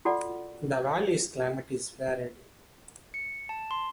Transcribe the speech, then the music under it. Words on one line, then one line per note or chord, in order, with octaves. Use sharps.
The valley's climate is varied.
F4 F#4 A4 D5 F#5
C#7
A5
C6